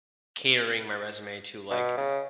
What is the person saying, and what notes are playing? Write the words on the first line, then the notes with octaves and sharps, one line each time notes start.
catering my resume to, like,
B2
C#3